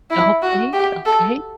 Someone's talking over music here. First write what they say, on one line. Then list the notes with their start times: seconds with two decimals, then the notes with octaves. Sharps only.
Okay, okay.
0.10 E4
0.42 F#4
0.73 G4
1.05 A4